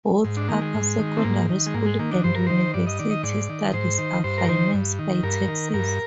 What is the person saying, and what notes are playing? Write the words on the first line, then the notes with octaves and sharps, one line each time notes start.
Both upper secondary school and university studies are financed by taxes.
G#2
D4
D#3 A#3
G#3
G#2
D#3
C4
G#2 A#3
D#3
G#3
G#2 A#3
G#3
D#3 A#3
D4
G2 C5
A#4
D#3 C5
G2 D5
D#5
D#3 D5
D#5
G#2 D5
D#3
G#2 C5
D#3
G2 C5
A#4
D#3 C5
G2
D#3
G2 A#4
D#3
G2 A#4